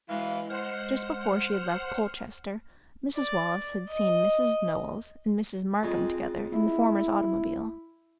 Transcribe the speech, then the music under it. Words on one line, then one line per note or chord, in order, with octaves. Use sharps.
Just before she had left Colchester, Mrs. Wallace had seen Mrs. Knowles and Mrs. Markham together in the former's automobile.
E3 G#3 F5
C5 F#5 F6
D5
D#5
F2 G#3
E4